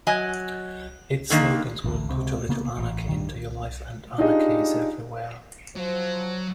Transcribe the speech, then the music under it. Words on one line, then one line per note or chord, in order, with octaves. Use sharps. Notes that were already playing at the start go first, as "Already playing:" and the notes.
Its slogans were "put a little anarchy into your life" and "anarchy is everywhere".
F#3 D#5 G#5
D3 D#3 A#3
A1 D2
C#2 C3
C#3 A#3 B3
A1
G2 D#3
D4 D#4 F4 G4 G#4 D#5
F3 F#3 C5